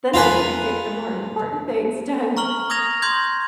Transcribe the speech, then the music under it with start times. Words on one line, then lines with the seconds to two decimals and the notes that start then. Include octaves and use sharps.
then I could get the more important things done
0.14 F4 A#4 B4 G#5
2.37 A#5 C#6 F6 F#7 G7
2.70 D#6 F6 G#6 A#6 F7
3.02 C6 D#6 G6 G#6